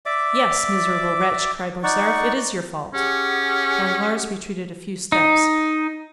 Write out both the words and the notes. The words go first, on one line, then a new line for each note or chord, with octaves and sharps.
"Yes, miserable wretch!" cried Morcerf, "it is your fault." Danglars retreated a few steps.
D5 E5 D6
D#4 D5 F#5 C#6
C#4 G4 G#4 F#5
D#4